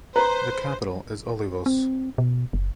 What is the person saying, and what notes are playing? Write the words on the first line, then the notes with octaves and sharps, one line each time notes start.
The capital is Olivos.
B4 C5 A#5
C4
B2
F#1